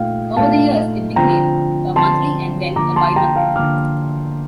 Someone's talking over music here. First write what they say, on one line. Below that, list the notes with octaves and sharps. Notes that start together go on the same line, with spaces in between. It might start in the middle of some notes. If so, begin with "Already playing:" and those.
Over the years it became a monthly and then a bi-monthly.
Already playing: A#2 A3 D#4 F5 G5
A#2 A3 D#4 F5 A5
D3 F3 C4 F4 G5 A#5
D3 F3 C4 F4 A5 C6
D3 F3 A#3 A#5 D6
A5 C6
G5 A#5
F5 A5
D3 F3 A#3 D6 F6